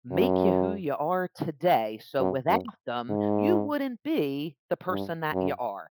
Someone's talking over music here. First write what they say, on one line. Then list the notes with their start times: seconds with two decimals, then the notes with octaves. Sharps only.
make ya who you are today, so without them, you wouldn't be the person that ya are.
0.11 F#2
2.20 F#2
2.49 F#2
3.09 G#2
4.89 G2
5.33 F#2